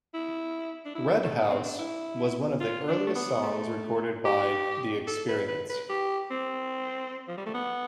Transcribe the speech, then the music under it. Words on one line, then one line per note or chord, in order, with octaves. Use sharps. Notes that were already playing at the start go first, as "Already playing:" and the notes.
"Red House" was one of the earliest songs recorded by the Experience.
E4
D4
E4
A3
B3
C4
D4
E4
F4
D4
A3
B3
B3
A3
G4
A4
B4
B4
B4
G4
C4
F3
G3
A3
B3